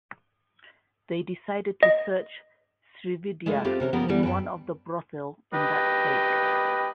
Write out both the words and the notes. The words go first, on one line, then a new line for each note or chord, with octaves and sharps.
They decided to search Srividya in one of the brothel in that place.
D#5
G#3 A3 E4 F4
C4 F4 G4 A4
C3 C#4 G4 A#4
C#3 F3 A#3 B3 G4 A#4
D3 E3 G3 B3
F#2 B4 G5 A5
G4 B4 D#5